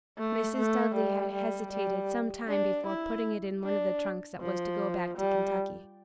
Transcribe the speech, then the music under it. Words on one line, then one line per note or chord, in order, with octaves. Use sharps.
Mrs. Dudley had hesitated some time before putting it in one of the trunks that was to go back to Kentucky.
A3
A3
G3
G3
G3
D4
E4
D4
F3
G3